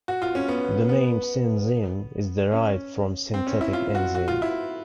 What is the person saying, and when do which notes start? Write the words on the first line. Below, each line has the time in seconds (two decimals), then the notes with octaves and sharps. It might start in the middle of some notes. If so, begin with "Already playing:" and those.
The name synzyme is derived from synthetic enzyme.
0.08 F#4
0.22 F4
0.35 C#4
0.48 B3
0.89 B3
2.52 C#4
3.34 C4
3.47 C#4
3.61 E4
3.73 F4
3.95 F#4
4.15 F#4
4.28 F4
4.42 E4